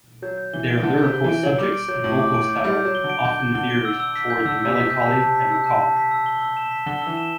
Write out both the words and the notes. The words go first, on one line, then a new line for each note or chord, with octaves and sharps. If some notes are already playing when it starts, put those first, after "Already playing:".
Their lyrical subjects and vocal style often veered towards the melancholy and macabre.
F#3 G6
G6
E3 G7
D7
E3
D3 G6
G6
C3
G7
E3 D7
F#3 F#7
G3 D6
D7
F#3 G6
A2 F#7
D6
D7
G6
G3 G6
G6
F#3
G7
D3
D7
D3 G6
G6
D3 G7
D7
E6
E6
B6
G6
D3 E6
C3 E6
B6
B2
G6
C3 A5
A5
B6
E6
A5
A5
B6
E6
G7
E6
E7
B6
D3 G7
E3 E6
E7